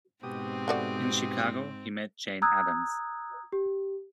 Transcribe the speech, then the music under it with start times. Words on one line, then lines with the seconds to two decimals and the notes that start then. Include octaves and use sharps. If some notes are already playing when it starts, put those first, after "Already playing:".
In Chicago he met Jane Addams.
0.23 G#2 B2 C4 G4 D#6
0.68 A3 F#4 D5
2.42 A#5 D#6 E6 F#6 G#6
3.52 G4